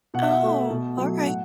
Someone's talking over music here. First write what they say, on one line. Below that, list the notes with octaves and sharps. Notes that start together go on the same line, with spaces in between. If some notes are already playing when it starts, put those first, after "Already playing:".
Oh, alright.
B2 F#5
E5
F#5
A3
B2
F#3 A3
A2 F#5